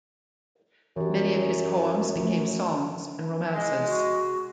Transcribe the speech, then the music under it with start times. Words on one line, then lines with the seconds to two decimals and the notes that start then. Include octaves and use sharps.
Many of his poems became songs and romances.
0.97 F#2 E3 G4
2.16 F3 A3
3.53 G#3
3.87 F#4